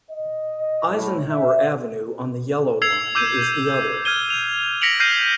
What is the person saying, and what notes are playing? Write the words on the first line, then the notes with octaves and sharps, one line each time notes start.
Eisenhower Avenue on the Yellow Line is the other.
D#5
A2
E5
E6 G#6 C7 F7
D6 E6 G6 D#7
F6 G#6 D#7 G7
F7
A#6 B6 C#7 D7 F7 F#7
F6 G6 A#6 C7 D#7